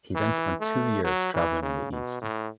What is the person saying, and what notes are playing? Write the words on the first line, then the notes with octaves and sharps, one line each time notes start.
He then spent two years travelling in the East.
E3
A3
F#3
E3
C#3
B2
A2